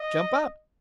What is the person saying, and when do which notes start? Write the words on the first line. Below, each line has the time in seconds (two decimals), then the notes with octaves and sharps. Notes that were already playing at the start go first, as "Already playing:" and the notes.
"Jump up."
Already playing: D#5